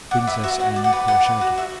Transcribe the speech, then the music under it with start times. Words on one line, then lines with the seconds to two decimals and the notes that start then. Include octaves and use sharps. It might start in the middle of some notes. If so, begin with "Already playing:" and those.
Princess M. Korchagin.
0.11 D5 F#5
0.27 B4 E5
0.44 F#4 E5
0.60 F#4 F#5
0.76 D5
0.84 F#5
0.93 B4
1.08 D5 F#5
1.25 B4
1.41 F#4
1.57 F#4 E5